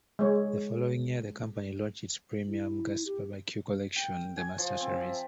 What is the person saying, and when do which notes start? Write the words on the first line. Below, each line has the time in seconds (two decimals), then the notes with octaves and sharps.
The following year, the company launched its premium gas barbecue collection, the Master Series.
0.19 G#3 C#5
2.47 E4
3.05 G4
3.96 G5
4.37 G#5
4.58 F3
4.81 C4
5.01 E5